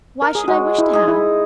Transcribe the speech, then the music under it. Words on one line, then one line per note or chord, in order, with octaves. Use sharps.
Why should I wish to have?
A#4
G#4
G#3 F#4
E4
D#4 G#4
E4